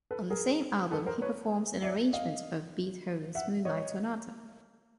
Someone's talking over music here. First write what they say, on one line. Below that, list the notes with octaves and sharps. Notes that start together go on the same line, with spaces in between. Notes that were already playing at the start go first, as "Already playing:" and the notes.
On the same album, he performs an arrangement of Beethoven's Moonlight Sonata.
A4 B4
G#4 A#4
A4 B4
A#4 C5
B4 C#5
D5 E5
D#5 F5
E5 F#5
C#5 D#5